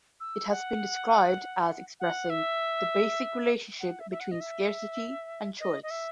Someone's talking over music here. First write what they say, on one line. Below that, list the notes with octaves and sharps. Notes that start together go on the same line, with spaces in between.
It has been described as expressing "the basic relationship between scarcity and choice".
E6
F#5
F#5
E5
F#5
E5
E5
F#5
D#5
E5
D#5
D#5
E5